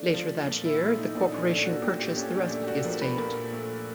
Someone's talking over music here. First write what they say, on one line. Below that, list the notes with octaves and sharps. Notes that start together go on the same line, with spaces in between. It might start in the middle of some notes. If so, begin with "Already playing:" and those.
Later that year, the corporation purchased the rest of the estate.
Already playing: A3 D4
F3
A#2
E4
A3 E4
D#4
A#2 D4
C#4
A3 D4
F#4
A#2 G4
G4
A#2 C#4
D4
A3 D4
G4
F#4
F3 A#4
B4
A#2 A#4
A3